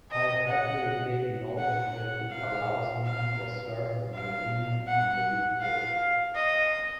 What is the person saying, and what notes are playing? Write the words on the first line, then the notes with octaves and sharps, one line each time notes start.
I happily take note that it allows me to assert my opinion on the big day.
D#5
F#5
F#5
F5
F5
F5
F#5
F5
D#5